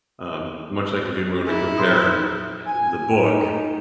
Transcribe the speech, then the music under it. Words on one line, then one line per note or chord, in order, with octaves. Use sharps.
um, much like if you wanna compare uh, the book
D#4 E4 G#4
A#2 F3 F#3 C6 D#6
G#5
D#4